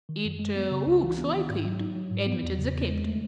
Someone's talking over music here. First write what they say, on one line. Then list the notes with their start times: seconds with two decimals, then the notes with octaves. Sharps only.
"It looks like it," admitted the Captain.
0.09 D#3
0.25 F#2
0.39 G#3
0.56 B3
0.71 C#3
0.86 C#2
1.03 E3
1.18 B3
1.33 D#3
1.49 G#2
1.65 F#3
1.80 D#4
1.95 F#3
2.11 G#2
2.26 B3
2.42 E2
2.57 C#3
2.73 E2
2.89 G#3
3.05 A3